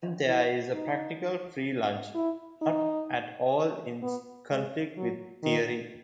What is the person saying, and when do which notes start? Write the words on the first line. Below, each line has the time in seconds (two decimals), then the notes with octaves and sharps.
And there is a practical free lunch, not at all in conflict with theory.
0.27 E4
0.74 D#4
2.15 E4
2.62 D#4
4.03 B3
4.50 G#3
4.97 F#3
5.43 D#3